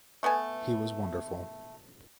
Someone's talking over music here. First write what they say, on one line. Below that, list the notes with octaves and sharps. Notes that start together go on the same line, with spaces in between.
He was wonderful.
A3 B3 A4 G#5